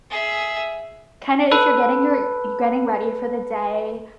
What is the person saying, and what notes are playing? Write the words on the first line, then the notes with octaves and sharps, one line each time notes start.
kinda if you're getting your you're getting ready for the day,
G#4 E5
A4 B4